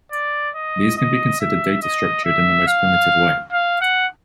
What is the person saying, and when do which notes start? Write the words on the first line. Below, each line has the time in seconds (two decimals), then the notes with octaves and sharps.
These can be considered data-structured, in the most primitive way.
0.12 D5
0.56 D#5
0.98 D#5
1.40 E5
1.82 D#5
2.25 E5
2.67 F5
3.52 F5
3.81 F#5